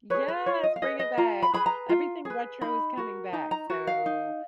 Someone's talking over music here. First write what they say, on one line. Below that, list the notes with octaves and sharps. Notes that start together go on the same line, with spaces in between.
Yes, bring it back. Everything retro is coming back, so
G#4 B4 C#5
B4
F4 C#5
D#5
F5
G#4 B4 D#5
D#5
F4 A#5
B5
G#4 B4 B5
A#5
F4
G#4 B4
D#4 B5
F#4 A#4
D#4 A#5
A#5
F#4 A#4
F5
D#4